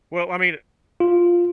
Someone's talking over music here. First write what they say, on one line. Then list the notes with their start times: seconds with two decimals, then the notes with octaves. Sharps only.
Well, I mean, eh
1.00 F4